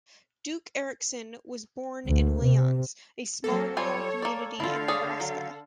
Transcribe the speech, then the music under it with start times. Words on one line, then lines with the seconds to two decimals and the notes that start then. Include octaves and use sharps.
Duke Erikson was born in Lyons, a small rural community in Nebraska.
2.06 D2
2.44 C3
3.44 F#3 A#3 A4
3.77 G3 F4 C#5 G#5
4.22 A#3 D5
4.60 D3 E4 F4 F5
4.88 G#4 C#5 D5
5.20 F#3